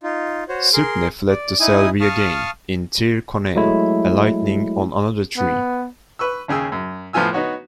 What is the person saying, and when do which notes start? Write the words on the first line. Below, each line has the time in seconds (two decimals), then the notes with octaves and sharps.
Suibhne fled to Cell Riagain in Tir Conaill, alighting on another tree.
0.03 D#4 F4
0.49 F#4 C5 C#5
0.73 G#4 A#4 C6
1.28 D5
1.60 D#4 E4 G#5 D#6
2.01 F5 A5 C#6 D#6 F6
3.55 F#3 G#3 A3 E4
5.37 B3
6.19 B4 C#6 E6
6.48 D#2 C#3 G#4 G5 E6
6.72 F#2
7.13 A2 F3 B3 F4 G#5 E6
7.33 B3 D#4 F#4 C#5